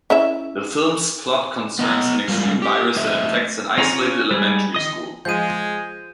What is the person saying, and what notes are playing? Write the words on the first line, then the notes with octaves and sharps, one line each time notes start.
The film's plot concerns an extreme virus that infects an isolated elementary school.
C#4 E4 E5
B3 D#5 A5 A#5
G3 G#3 F4 A#4 F5
G4
A3 C5 D#5 E5
C4 F4 G#4 C#5 A#5
C#4 F4
G3 G#4
D#3 D#5 D#6
F3 G#3 G#4 G6 D#7